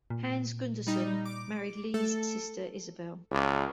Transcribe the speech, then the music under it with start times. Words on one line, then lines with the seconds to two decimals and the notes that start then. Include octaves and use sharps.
Hans Gunderson married Lee's sister Isabel.
0.10 A#2
0.87 G3 D#4
1.25 D6
1.94 A3 A4
3.32 C#2